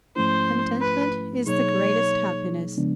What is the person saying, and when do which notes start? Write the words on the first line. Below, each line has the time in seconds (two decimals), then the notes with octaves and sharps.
"Contentment is the greatest happiness."
0.16 G#2 F3 A3 C#4 E4 C5
0.81 B4
1.46 B2 F#3 A#3 D#4 G#4 C#5
2.77 C#3 F3 G#3 B3 D4